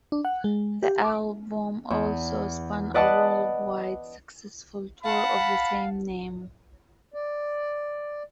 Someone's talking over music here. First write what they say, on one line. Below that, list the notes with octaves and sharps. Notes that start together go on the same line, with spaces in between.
The album also spun a worldwide successful tour of the same name.
D4
F#5
G#3
G4
D6
E2
B4 D5 D#5 F#5 A5
F5 F#5 A5 B5
D5